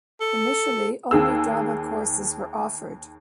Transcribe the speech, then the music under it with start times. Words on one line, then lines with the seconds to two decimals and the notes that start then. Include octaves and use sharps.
Initially only drama courses were offered.
0.21 A4
1.11 D#2 G#4 E6